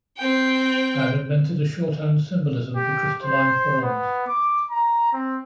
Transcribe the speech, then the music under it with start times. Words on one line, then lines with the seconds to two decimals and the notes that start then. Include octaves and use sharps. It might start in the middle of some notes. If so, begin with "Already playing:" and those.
I had invented a shorthand symbolism for crystalline forms.
0.18 C4 G5
2.76 G4
3.22 C5
3.82 B3
4.28 D6
4.71 A#5
5.13 C4